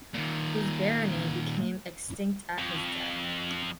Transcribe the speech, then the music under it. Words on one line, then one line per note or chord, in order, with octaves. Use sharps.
His barony became extinct at his death.
A#2 D#3
F2